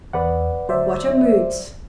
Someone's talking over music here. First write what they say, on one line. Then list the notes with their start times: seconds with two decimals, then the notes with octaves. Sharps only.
What are moods?
0.13 E2 B4 D5 F#5
0.69 D2 F#3 C5 D5 E5